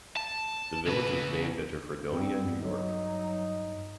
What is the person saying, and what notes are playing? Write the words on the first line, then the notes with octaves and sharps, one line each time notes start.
The village was named after Fredonia, New York.
A5
C#3 B4
G2 G3 B3 C4
F#3 D#4